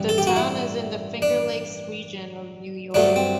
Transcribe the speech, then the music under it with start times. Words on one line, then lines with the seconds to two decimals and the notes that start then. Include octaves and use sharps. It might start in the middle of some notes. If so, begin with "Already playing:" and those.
The town is in the Finger Lakes region of New York.
Already playing: A1 G2 E3 G3
0.09 A4
0.18 G4
0.27 F#4
0.36 E4
1.22 D4
2.94 G2 F#3 A3 D4
3.16 C4